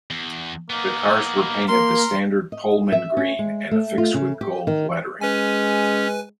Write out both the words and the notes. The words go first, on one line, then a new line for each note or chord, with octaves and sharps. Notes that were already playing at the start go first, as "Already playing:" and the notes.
The cars were painted the standard Pullman Green and affixed with gold lettering.
E2
A#3 B3 D#4
A#3 A#4 C6
D#5
E5
C#4
G#3
A3
F4
C#3
G4
D#3
G#3 C#4 B4 G#5